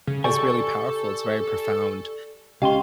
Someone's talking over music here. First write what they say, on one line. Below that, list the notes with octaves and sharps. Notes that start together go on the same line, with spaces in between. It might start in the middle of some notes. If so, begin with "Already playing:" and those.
is really powerful, it's very profound,
C#3
G4 A4 D5 G#5 C#6
C#2 C#4 G4 D#5 F5 G5 C6